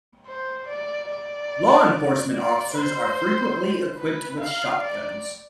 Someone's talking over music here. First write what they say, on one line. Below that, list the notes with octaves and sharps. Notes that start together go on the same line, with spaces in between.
Law enforcement officers are frequently equipped with shotguns.
C5
D5
D5
D5
C5
B4
F5
D5